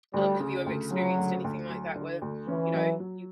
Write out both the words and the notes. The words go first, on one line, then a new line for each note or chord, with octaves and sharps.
Um, have you ever experienced anything like that where, you know? You
D2 G3
C#3
D2
C#3 F#3
D2
D2
F#3
D3
D2
E3 C#4
F#3
F#3